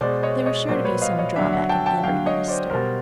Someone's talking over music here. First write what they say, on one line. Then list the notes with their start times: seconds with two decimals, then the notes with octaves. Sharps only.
There was sure to be some drawback in every minister.
0.01 B2 G#3 C5 D5
0.23 C#5 D#5
0.46 C#5 D#5
0.68 A#2 F#3 C5 D5
0.85 B4 C#5
1.02 D#5 F5
1.19 C#5 D#5
1.35 D3 F#3 D5 E5
1.53 E5 F#5
1.69 G5 A5
1.86 G5 A5
2.03 D3 F#3 F5 G5
2.26 C#5 D#5
2.48 C5 D5
2.70 B2 G3 A#4 C5